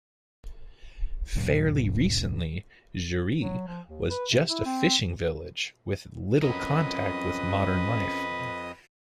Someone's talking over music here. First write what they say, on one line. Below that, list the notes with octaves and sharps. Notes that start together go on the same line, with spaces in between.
Fairly recently, Jeri was just a fishing village with little contact with modern life.
D2 G2 A#2 F#3
F#3
F3
D#2
B4
C3
E4
C4
F2 C#4 A#4 B4 D#5